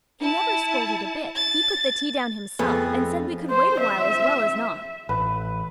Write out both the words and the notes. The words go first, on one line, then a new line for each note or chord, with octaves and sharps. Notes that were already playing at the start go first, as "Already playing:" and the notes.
He never scolded a bit. He put the tea down himself and said we could wait awhile as well as not.
E4 A5
A6
F2 A3 B3 G#4
C5
E5
A1 B4